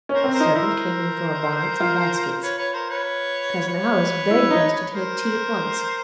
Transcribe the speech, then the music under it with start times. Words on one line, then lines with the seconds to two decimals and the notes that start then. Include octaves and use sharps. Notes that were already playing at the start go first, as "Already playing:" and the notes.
A servant came in for our bonnets and baskets. Cousin Alice begged us to take tea at once.
0.09 C#4
0.14 A#4 C5
0.24 C4
0.34 A#4 C5
0.40 D#4
0.55 E4 A#4 C5
1.80 F4
2.42 B4 C#5
2.58 B4 C#5
2.74 A#4 C5
2.89 B4 C#5
3.67 B4 C#5
4.31 E4
4.51 D#4
4.93 A#4 C5